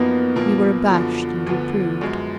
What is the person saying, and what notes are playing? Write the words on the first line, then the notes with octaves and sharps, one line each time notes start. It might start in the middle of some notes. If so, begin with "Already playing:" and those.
We were abashed and reproved.
Already playing: F#2 F3 A#3 B3 D#4
A#1 A#2 F3 A#3
F#2 D3 F3
D2 D3 F3 B3
F#2 F3 G#3